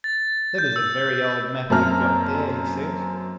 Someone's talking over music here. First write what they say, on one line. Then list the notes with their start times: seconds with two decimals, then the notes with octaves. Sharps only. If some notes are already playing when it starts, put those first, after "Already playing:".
"That is a very old map you have got there," he said.
0.04 A6
0.58 G6
0.76 E6
1.70 F#2 A#3 C4 A5 A#5 F6